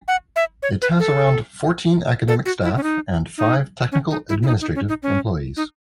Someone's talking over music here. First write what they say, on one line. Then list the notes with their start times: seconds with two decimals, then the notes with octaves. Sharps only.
It has around fourteen academic staff and five technical-administrative employees.
0.08 F#5
0.36 E5
0.63 C#5
0.82 B4
0.99 A4
2.28 A4
2.46 F#4
2.64 E4
2.76 C#4
2.83 D#4
3.38 D#4
3.92 C#4
4.10 D#4
4.29 E4
4.43 E4
4.47 D#4
4.61 D#4
4.75 C#4
4.89 D#4
5.03 C#4
5.57 D#4